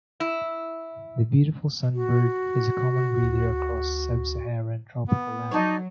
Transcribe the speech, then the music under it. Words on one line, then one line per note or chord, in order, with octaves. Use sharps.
The beautiful sunbird is a common breeder across sub-Saharan tropical Africa.
E4
F#4
D2
B3
F#3 D#4 C#5 D5 A5